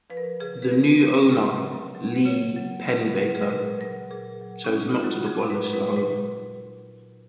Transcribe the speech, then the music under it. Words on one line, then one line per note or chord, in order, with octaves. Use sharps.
The new owner, Lee Pennebaker, chose not to demolish the home.
F3 B4
A#4
C#3 G#4
B4
F3 A#4
C#3
A#4
F#3 B4
C#3
F#3
C#3 C#5
F#3
C#3
A#4
F#3 B4
G#4
A#4
A#2 B4
F#3 A#4
A#2 G#4
F#3
C#4
A#2 D#4
F4
F#3 F#4
G#4
A#2
B4
F#3
B4
A#2 B4